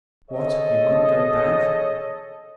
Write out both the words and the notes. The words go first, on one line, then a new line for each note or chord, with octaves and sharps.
"What! you won't go back?"
G#4 A4 C#5 D#5